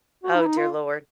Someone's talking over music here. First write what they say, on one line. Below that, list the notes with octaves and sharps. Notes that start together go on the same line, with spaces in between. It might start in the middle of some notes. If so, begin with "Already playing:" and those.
Oh, dear Lord.
F#4
D#4
E4
D#4
F4